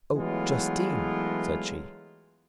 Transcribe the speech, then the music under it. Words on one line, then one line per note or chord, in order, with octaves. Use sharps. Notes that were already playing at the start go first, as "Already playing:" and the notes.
"Oh, Justine!" said she.
E3 F#3 G#3 A3 B3 F4